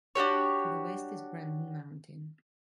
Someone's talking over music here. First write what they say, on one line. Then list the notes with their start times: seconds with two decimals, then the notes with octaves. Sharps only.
To the west is Brandon Mountain.
0.15 D4 F#4 G4 C#5